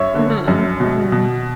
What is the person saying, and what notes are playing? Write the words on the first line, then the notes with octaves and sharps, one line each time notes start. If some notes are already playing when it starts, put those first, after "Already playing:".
Mhm, mhm.
Already playing: F#2 C#5 E5
D3
F#2
B2
B2